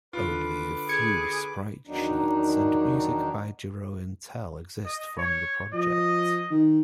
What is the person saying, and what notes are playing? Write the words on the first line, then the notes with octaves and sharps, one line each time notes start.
Only a few sprite-sheets and music by Jeroen Tel exist from the project.
D3 F4 B4 D6
G#4 G#6 C#7
E2 D#3 F#3 D4 D#4
D#5
C#5
F3 D#5
D#3